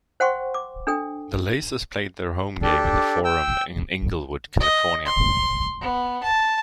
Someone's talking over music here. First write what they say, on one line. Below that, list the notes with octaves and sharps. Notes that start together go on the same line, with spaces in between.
The Lazers played their home games in The Forum in Inglewood, California.
C5 F#5 G5 C6 C#6
D6
D4 A4 G5
D4 G4 A4
G5 E6
D#5
C6
B3
A5